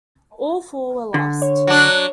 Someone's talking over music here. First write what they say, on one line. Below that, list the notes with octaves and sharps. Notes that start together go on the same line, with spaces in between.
All four were lost.
D3
C#5
F#3 D4